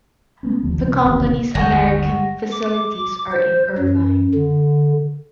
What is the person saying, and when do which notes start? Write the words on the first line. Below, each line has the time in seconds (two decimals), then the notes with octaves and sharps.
The company's American facilities are in Irvine.
0.43 A3 B3 C#4
0.63 D#2 D3 F3
0.78 C2 F3
1.03 D1 A1 D#2 C3
1.55 G1 D#2 F#5 C#6 A#6
2.51 D6
3.31 C5
3.78 F#2
4.35 D3